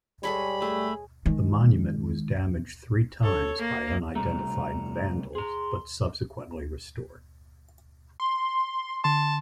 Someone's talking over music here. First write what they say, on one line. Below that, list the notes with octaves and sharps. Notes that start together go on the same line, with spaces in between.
The monument was damaged three times by unidentified vandals, but subsequently restored.
G3 G#3 A4 C#5 B5
A3 G#4
D#3 G#3
A4 C#5
A#3
C3 G3 A3 A#5
G#4 A#5 C6
C6
D3 A5 C6